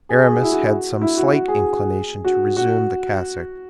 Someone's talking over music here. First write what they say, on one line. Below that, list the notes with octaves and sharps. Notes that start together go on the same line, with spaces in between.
Aramis had some slight inclination to resume the cassock.
G#4
G#4
F#4
E4
F#4
E4
F#4
F#4
G#4
F#4
F#4